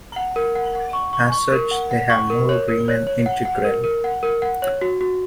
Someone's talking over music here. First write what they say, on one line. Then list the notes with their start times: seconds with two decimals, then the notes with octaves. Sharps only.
As such, they have no Riemann integral.
0.16 F#5
0.36 A#4
0.55 F#5
0.75 F#5
0.93 C#6
1.13 C#6
1.32 C#6
1.52 A#4
1.71 F#5
1.91 F#5
2.10 C#6
2.30 A#4
2.49 C#5
2.68 A#4
2.88 C#5
3.07 C#5
3.26 F#5
3.45 F#5
3.65 A#4
3.84 A#4
4.04 F#5
4.23 A#4
4.42 F#5
4.62 C#5
4.81 F#4
5.01 F#4